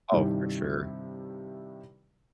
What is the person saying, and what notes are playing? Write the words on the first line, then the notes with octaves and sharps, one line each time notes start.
Oh, for sure.
G2 C3 D#3 G3 E4